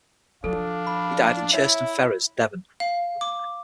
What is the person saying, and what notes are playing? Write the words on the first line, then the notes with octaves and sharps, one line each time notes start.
He died in Churston Ferrers, Devon.
F3 D4 A4 F5
B5
D#4 E4 C#5 E5
F5
D6